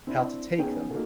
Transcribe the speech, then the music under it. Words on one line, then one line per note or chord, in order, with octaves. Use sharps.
how to take them.
C4 D4 E4
B3 C#4 D#4 G#4 G5
A#3 D#4 F#4 A4